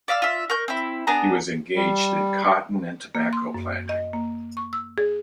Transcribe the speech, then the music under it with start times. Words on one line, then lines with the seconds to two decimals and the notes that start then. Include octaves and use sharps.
He was engaged in cotton and tobacco planting.
0.08 D5 E5 F5 E6
0.22 F4 E5
0.50 A#4 C#6 G6
0.68 C4 E4
1.07 B3 D4 G#4 A#5
1.76 G3
3.15 A#3
3.33 C6
3.54 F#2
3.89 D#5
4.13 A#3
4.57 C#6
4.73 E6
4.98 G#4